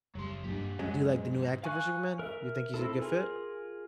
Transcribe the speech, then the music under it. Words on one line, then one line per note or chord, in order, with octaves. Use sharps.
Do you like the new actor for Superman? You think he's a good fit?
F#1 F#3 G3 C6
G2 A#2 E3 G4
F#2 F#3 G#3 C#4
G#2
F5 G#5 C#6 F#6
A#4 E5
C4 E4 A4
F4 G#4 A#4